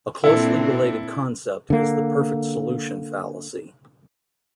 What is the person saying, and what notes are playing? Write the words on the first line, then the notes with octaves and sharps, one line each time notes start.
A closely related concept is the perfect solution fallacy.
A#2 C4 D4 E4 A4
D3 A#3